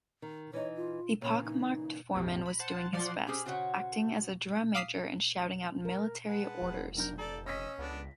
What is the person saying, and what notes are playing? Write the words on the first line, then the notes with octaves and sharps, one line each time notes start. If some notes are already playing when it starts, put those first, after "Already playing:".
The pockmarked foreman was doing his best, acting as a drum-major and shouting out military orders.
D#3
E3 D#4 C#5
F4
A#2 C#3 E3 C#5
D#4
A#1 F2 C3
B5
C5 F#5 A5
F3 D5 F#5 C6
C#4 G4 G#4 C5
C#3 F#4 C5 C#5 F#5
F5 D6 D#6 B6 C7
A#4
G#3 B4 F#5 A5
F1
B1 D4 A#4 G6
A4 D5 A#5
C#4 D#5 E6 A#6 B6
C#2 B3 D4 A4